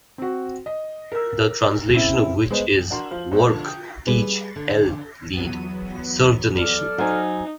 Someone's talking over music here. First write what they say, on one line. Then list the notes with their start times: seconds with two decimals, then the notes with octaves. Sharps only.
The translation of which is Work, Teach, Help, Lead - Serve the Nation.
0.18 C4 F#4
0.66 D#5
1.12 A#4 E6
1.93 C#3 C4 E4
2.51 G#3 B3 C5 D#5
2.90 D4 F#4 A#4 C6
3.11 F3 C5 F5
3.31 G#2 B2 C5
3.48 D3 F3
3.66 G5 D#6
4.07 G3 G#4 B4
4.56 D3
5.37 E2 F#3 B3
6.57 A4 D5 F6
6.98 F#3 D#4 C5 G#5